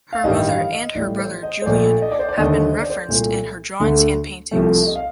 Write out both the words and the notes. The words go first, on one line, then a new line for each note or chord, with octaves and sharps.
Her mother and her brother Julian have been referenced in her drawings and paintings.
F5
A1 G2 D#3 G3 D#5
F5
D#5
A1 A2 G3 D5
C5
D#5
C5
A#1 A#2 A3 D5
D#5
D5
C5
D5
D#2 D3 A3 D#5
C5
D5
C5
C2 A#2 A3
D2 D3 A3
C2 C3 F3 A3
D#5
F5